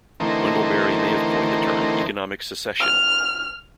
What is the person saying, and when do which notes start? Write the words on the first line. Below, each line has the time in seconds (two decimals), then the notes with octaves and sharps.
Wendell Berry may have coined the term economic secession.
0.20 D3 E3 A3 C4 D#4 A#4
2.81 F6